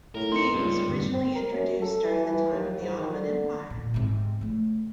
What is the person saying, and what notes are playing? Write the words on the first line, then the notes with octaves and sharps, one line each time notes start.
The game was originally introduced during the time of the Ottoman Empire.
A2 A#4
D#4 C6 C#7
C#2 G2
D2 G2 G3
C4
A#4
F#2
A4
E3
E3
D#2
G#2
D#3
D3
A#2
G#2 C3
C#3 A3